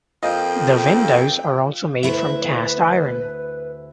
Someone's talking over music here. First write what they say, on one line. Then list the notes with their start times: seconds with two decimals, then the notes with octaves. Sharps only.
The windows are also made from cast iron.
0.23 F2 A#3 C4 F4 D#5 G5
2.03 D2 E4 B4 E5